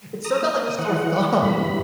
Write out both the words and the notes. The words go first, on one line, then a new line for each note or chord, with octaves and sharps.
It stuck out like a sore thumb.
A#5 D#6
A#3
D#6
E3 F#5
G2 E3 G3 B5